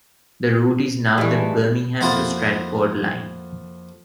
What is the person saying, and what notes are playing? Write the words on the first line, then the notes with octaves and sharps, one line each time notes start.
The route is now the Birmingham to Stratford Line.
G2 E3 G#3 A3
F2 A#3 E4 F4 A4 F#5